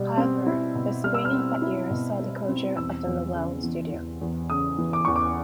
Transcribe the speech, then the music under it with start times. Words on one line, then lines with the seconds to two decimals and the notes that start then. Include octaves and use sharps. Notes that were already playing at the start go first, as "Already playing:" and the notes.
However, the spring of that year saw the closure of the Lowell studio.
Already playing: B2 G3
0.17 C4
0.47 E4
0.75 B2
1.04 G3 F6
1.14 E6
1.25 F6
1.33 C4
1.62 E4
1.91 B2
2.20 G3
2.48 C4
2.77 E2 E6
3.06 E2
3.35 C#3
3.63 E3
3.93 E2
4.21 E2
4.50 C#3 D#6
4.78 E3
4.93 D6
5.05 E2 C#6
5.16 D6